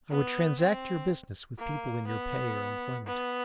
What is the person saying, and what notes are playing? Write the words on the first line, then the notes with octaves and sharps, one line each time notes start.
I would transact your business with people in your pay or employment.
B3
C4
A#3
B3
B3